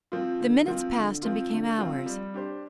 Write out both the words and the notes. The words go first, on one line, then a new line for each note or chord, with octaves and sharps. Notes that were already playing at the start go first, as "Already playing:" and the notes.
The minutes passed and became hours.
F3 C4 F4
D3
F3 C4 F4
D3
F3 C4 F4
D3
F3 C4 F4
G3
D4 G4 C5